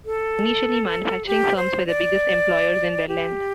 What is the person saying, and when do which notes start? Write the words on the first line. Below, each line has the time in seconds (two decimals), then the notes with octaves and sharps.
Initially, manufacturing firms were the biggest employers in Welland.
0.05 A4
1.27 G4
1.56 C5
1.87 D5
3.08 G4